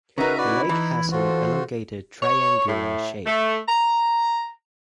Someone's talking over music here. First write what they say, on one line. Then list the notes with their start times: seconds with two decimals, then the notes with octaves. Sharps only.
The lake has an elongated triangular shape.
0.18 C#3 D#4 F#4 G#4 A#4 B4 E5 A#5
0.38 E4 F#4 B4 D5
0.69 E3 D#4
1.11 F4 F#4 A4 C5
2.23 C#5
2.68 A2
3.26 A3
3.68 A#5